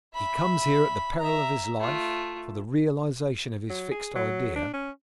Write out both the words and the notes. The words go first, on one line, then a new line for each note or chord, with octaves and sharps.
He comes here at the peril of his life, for the realization of his fixed idea.
E5 B5
E5 A#5
A3 F4
F#3
G#4
F#3
D4
C#4